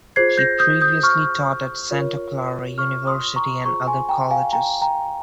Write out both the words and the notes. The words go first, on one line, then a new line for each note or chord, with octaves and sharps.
He previously taught at Santa Clara University and other colleges.
F4 G#4 C5 G#6 C7
G6 A#6
D#6 G6
D#6 G6
C#6 F6
F4 A#4 C#5
C#6 F6
C6 D#6
A#5 C#6
F4 G#4 C5 A#5 C#6
G#5 C6
G5 A#5
F5 G#5
G5 A#5
G5 A#5